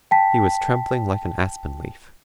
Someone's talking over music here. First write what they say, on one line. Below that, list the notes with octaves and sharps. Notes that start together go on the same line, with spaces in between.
He was trembling like an aspen leaf.
G5 A5 B6